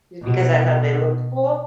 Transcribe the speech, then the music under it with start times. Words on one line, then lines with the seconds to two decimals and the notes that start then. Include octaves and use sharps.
just because I thought they looked cool.
0.22 B2